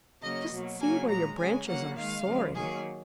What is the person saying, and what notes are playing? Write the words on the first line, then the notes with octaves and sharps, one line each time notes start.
Just see where your branches are soaring.
C#3 F#3 A#3 D#5
B2 F#3 A#3
C#3 F#3 A#3 G#5
A#2 G#3 A#5
C#3 G#3 G#5
C#3 F#3 A#3 F#5
D#3 G#3 F5
C#3 F3 G#3
D#3 F#3 A#3 G#4